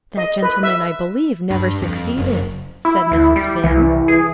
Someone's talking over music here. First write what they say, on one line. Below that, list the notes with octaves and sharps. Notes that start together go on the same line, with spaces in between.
"That gentleman I believe never succeeded," said Mrs. Finn.
D#5
B4
E5
G2
F2
F#1
E4
D2
G3
C2 E3
G#4